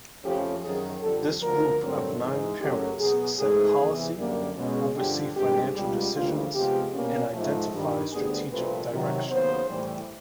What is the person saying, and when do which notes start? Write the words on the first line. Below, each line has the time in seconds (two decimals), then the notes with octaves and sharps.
This group of nine parents set policy, oversee financial decisions and identify strategic direction.
0.24 F2 C#3 F3 A3 C#4 G4
0.63 F#2 D#3 F#3 G#4
1.03 F2 D3 G3 A4
1.42 D2 D3 F3 A#4
1.82 G2 D3 F#3 A3 C4
2.21 G#2 E3 G#3
2.60 F#2 C#3 F#3 A3 C#4 G4
3.00 B2 F#3 B3 G#4
3.39 G#2 E3 A3 C4 G#4
3.79 E2 C3 E3
4.18 F#2 D3 G3 A#3
4.57 B2 G#3 C#4
4.97 G2 D3 F3 G4
5.36 G2 D#3 G#3 C4 G4
5.76 C#2 B2 G3
6.14 D2 C#3 E3 G3 A#3 F4
6.54 C3 F3 G#3 B3 G4
6.93 B2 G3 A#3 C#4
7.33 G#2 F3 A3
7.72 G2 D#3 G3
8.12 D2 D3 G3 B3 G#4
8.51 C2 A#2 F3 A3 C4 B4
8.90 C3 D#3 F#3
9.30 D#2 C#3 F#3 B3 C5
9.69 A2 E3 G3